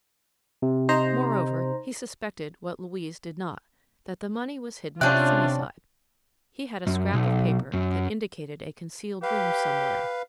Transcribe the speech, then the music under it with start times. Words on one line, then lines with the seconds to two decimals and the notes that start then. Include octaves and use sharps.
Moreover, he suspected what Louise did not, that the money was hidden at Sunnyside. He had a scrap of paper that indicated a concealed room somewhere.
0.62 C3
0.89 D#4 C5 A#5
5.01 C3 C#4 D4 F4 E5 G5 F#6
6.87 F#2
7.14 B1
7.73 F#2
9.23 G4 B4 F5